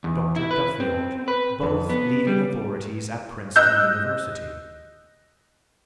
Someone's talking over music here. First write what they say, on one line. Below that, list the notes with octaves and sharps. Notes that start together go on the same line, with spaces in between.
Dr. Duffield, both leading authorities at Princeton University.
E2
E4
B4
C4
B4
F2
B3
G3
D#5 E6 F#6 G6